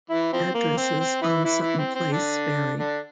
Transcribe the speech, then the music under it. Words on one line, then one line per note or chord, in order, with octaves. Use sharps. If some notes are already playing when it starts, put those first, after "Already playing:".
Addresses on Sutton Place vary.
E3 E4
F3 C4
A#3
C4
C4
E3 E4
E3 E4
E3 E4
C4
C4
D3 D4
D3 D4